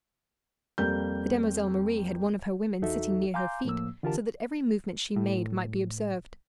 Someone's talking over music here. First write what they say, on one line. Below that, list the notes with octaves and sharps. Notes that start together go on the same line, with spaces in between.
The demoiselle Marie had one of her women sitting near her feet, so that every movement she made might be observed.
F2 G3 A#3 A#4 G6
E2 D#4 F#4 A4 E5
F5 G#5 A#5 C6 D6 G6
A2 F3 A#3 E6
D3 E3 F4 G4 A#4 A5
A2